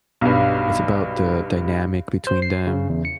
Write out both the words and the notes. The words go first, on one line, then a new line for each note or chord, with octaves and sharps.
it's about the dynamic between them,
B1 G2
C5
C7
C#3
E2
C#7